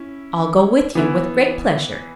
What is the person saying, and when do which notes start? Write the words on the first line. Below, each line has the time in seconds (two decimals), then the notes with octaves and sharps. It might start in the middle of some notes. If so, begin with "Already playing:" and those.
I'll go with you, with great pleasure.
Already playing: C#4 E4
0.95 E3 B3 E4